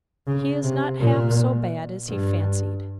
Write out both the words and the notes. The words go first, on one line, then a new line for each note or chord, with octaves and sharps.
He is not half so bad as he fancied.
C#3
C3
A#2
G2